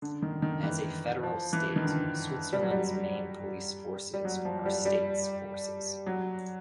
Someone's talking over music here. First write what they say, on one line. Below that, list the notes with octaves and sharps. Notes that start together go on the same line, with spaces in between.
As a federal State, Switzerland's main police forces are states forces.
D3
D#3
D#3
E3
F3
E3
D#3
D3
G3
F#3
G3
G3
F#3
F3
G3
G3
F#3